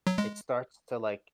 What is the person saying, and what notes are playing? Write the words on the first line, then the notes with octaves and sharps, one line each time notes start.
it's starts to, like,
F#3
G#3